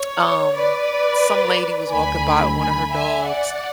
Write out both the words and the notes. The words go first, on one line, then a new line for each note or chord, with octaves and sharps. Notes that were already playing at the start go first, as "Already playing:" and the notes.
um, some lady was walking by with one of her dogs,
Already playing: C#5
B4 D5
D2 D3 F#3 A3 G#5 B5
G#5 B5
E5 G#5
D5 F#5